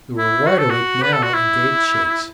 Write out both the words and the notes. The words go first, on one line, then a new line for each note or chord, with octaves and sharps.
We were wide awake now and gave chase.
E4
F#4
A4
F#4
B4
A4
F#4
E4